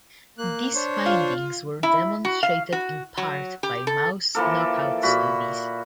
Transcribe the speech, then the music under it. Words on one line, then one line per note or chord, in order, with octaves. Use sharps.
These findings were demonstrated in part by mouse "knockout" studies.
A#3 F#6
D4 C5 C#5
F4
E4
F#4
F5
F#4
F#3
G4
A4
E3 F3 A#3 A4
A#2 F#4 B5